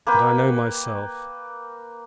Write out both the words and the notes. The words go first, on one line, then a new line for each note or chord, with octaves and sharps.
And I know myself.
A#3 B4 G5